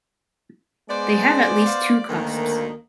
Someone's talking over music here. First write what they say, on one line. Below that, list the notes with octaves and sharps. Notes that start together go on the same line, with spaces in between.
They have at least two cusps.
G#3 B3 C5 D5
F5
D2 D#3 A#3